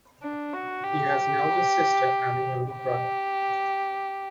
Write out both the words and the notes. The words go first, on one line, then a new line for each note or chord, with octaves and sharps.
He has an elder sister and a younger brother.
D4
F#4
G4
G4